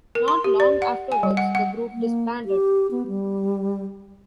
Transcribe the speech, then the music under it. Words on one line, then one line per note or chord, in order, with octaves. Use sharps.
Not long afterwards the group disbanded.
A#4
C6
G4
D5
F#5
G#5
G3
F#5
F#5
A#3
G4
B3
G3